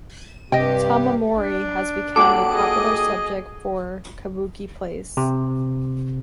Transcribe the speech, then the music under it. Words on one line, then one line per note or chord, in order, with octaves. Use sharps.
Tomomori has become a popular subject for kabuki plays.
G2 C3 G4 D#5 G5
D4
A#2 F#4 A4 F#5 D6
G#4 D#5
C3